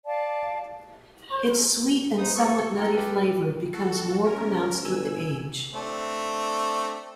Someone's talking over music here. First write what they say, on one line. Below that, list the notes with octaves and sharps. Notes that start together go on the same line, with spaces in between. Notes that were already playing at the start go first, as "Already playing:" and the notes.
Its sweet and somewhat nutty flavour becomes more pronounced with age.
D5 F5 A5
B3 D#4 G#4 C5 D#6
A4 C#6
A4 G5 A#5 F6
G4 B4
F#4 A4
C#4 A#4
G1 G#5 E6
A3 C4 D4